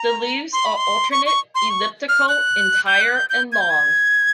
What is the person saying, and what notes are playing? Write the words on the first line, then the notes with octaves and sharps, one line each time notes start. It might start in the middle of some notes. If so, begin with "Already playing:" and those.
The leaves are alternate, elliptical, entire, and long.
Already playing: A#5
C6
B5
C6
C#6
C#6
C6
C#6
F6
F#6
G6
F#6
G6
G6
G#6
G6
G#6